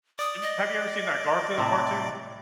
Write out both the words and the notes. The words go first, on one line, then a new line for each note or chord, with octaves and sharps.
You have ever seen that Garfield cartoon?
D5 D#6
D#5
A2 C3